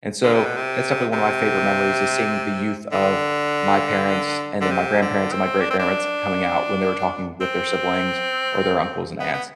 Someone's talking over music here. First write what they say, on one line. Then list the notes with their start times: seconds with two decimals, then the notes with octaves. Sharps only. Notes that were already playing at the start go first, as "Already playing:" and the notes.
And so that's definitely one of my favorite memories is seeing the youth of my parents, and then my grandparents and my great-grandparents coming out when they were talking with their siblings or their uncles and aunts.
0.23 D3
0.35 C3
0.45 B2
0.57 C3
1.13 C3
2.92 D3
4.61 D3
4.71 C3
5.02 D3
5.32 C4
5.61 D4
5.71 C4
5.80 D4
7.41 C4
9.20 B3
9.33 B3